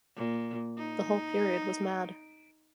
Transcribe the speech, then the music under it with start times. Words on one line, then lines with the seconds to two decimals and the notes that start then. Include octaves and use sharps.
The whole period was mad!
0.17 A#2
0.78 D#4